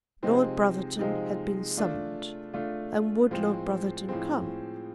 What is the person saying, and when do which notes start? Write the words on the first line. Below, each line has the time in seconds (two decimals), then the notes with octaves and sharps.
Lord Brotherton had been summoned, and would Lord Brotherton come?
0.23 C3 F3 G#3 C4 D#4
0.99 C3 F3 G#3 C4 D#4
1.77 A3 D4 F4
2.53 A3 D4 F4
3.31 A2 F3 G#3 C4
4.08 A2 F3 G#3 C4